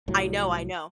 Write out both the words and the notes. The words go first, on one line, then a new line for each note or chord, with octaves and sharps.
I know, I know.
C2 A2 F#3